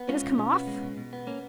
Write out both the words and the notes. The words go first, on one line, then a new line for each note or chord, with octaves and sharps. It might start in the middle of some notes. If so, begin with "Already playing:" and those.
"It has come off?"
Already playing: B3
G#3 C#4 F4
B2
B2
B3
G#3
B2
B2
B3
A#3 C#4